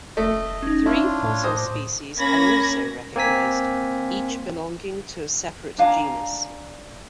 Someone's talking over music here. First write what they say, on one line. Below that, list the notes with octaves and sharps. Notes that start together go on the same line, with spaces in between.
Three fossil species are also recognised, each belonging to a separate genus.
F1 A3 D#5
C#4 D#4
D4 E4 F4 C#5
A2 A5
C5 D6 D#6 A#6
A#3 C#4 B5 G#6 A#6
A#3 C4 G#5 B6
D4 F5 G#5 A#5